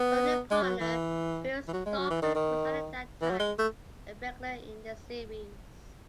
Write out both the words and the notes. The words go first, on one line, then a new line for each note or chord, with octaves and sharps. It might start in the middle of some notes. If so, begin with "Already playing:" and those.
Her then partner, Bill Stalker, was at that time a regular in the series.
Already playing: B3
G#3
F#3
E3
E3
F#3
G#3
F#3
E3
D#3
D#3
E3
F#3
G#3
A3